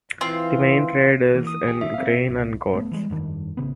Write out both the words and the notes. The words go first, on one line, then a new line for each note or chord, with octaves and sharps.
The main trade is in grain and goats.
E3 C4 F4
E3 A#3
D#6
G4 G#4
D#3 G3 E5
C4 F5
G1 C2
G1 A3 B3
E3 G3 G#3
F1 G2 D#3
A1 C#3 B3